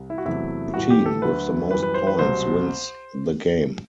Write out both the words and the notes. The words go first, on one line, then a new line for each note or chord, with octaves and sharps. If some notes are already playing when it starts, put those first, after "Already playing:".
The team with the most points wins the game.
Already playing: C2
E4
F#4
E2 C3 F#3 A3 E4
A2 E3 G3 F#4
G4
A4
D2 D3 F#3 A3 B4
F#2 E3 G3 B4
B4
C5
B4
C2 B2 F#3 C5